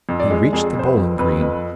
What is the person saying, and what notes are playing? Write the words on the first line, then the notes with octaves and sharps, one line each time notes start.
He reached the bowling-green.
F2
D5
G#3
F2 G#4
F2 C5
B4
F2
F2 B4
F2